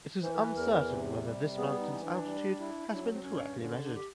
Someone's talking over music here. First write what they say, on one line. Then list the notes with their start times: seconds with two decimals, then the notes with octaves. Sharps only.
It is uncertain whether this mountain’s altitude has been correctly measured.
0.22 E3 C5
0.33 A#4
0.39 B4
0.55 E2 A#4
0.72 A#4
0.89 C3
1.23 G3
1.57 B3 G#4
1.80 D#4
1.92 E3
2.03 D4
2.25 G3
2.59 E4
2.93 F#3 D4
3.03 C#4
3.13 C4
3.22 G2 C#4
3.61 D3 C#4
3.83 D4
3.95 G4